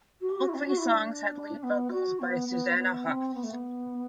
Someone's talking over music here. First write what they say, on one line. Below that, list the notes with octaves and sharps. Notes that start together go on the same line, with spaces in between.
All three songs had lead vocals by Susanna Hoffs.
F#4
G4
F#4
E4
C4
D4
F#4
E4
D4
B3
F#4
B3
B3
B3
C4
B3
A3
B3